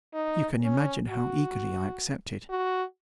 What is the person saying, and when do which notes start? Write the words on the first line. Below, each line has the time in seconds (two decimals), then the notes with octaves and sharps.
You can imagine how eagerly I accepted.
0.14 D#4
0.62 C#4
1.09 F#4
2.50 F#4